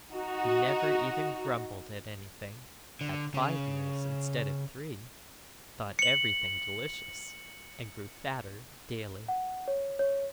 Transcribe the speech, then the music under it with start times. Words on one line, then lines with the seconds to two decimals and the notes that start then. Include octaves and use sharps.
He never even grumbled at anything, had five meals instead of three, thought everything delicious, and grew fatter daily.
0.14 D#4 F#4
3.01 D3
3.34 C#3
5.99 C#7 F#7
9.28 F#5
9.68 C#5
9.99 C#5